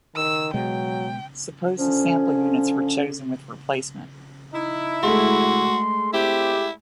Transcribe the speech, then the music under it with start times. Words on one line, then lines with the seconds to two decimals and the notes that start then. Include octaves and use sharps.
Suppose the sample units were chosen with replacement.
0.16 D#3 E6
0.54 B2 F#3 G#3 G5
1.77 D3 F3 C#4
4.53 D#4 E4
5.03 G#3 A3 F#4 C6
6.14 C4 E4 G4